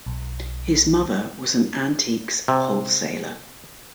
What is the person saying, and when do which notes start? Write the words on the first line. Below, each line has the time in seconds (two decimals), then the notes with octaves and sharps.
His mother was an antiques wholesaler.
0.06 B1
2.48 C3